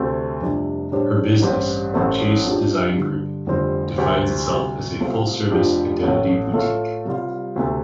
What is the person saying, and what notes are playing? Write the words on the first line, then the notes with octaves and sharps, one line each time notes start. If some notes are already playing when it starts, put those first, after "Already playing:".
Her business, Chase Design Group, defines itself as a full-service identity boutique.
Already playing: D2 C3 A3 C4
F1 F2 C3 G3 D4
A2 G3 D4 G4 C5
A1 G2 G3 C4 G4
A1 A2 A3 C4
F2 F3 D4 G4
G2 D3 G3
F1 F2 D3 G3 C4
D2 C3 G3 C4 G4
D2 C3 G3
C2 C3 A3 C4 F4
F1 F2 F3 D4 G4
A1 A2 A3
A2 A3 F4 A4
C2 C3 G3 F4
D2 C3 A3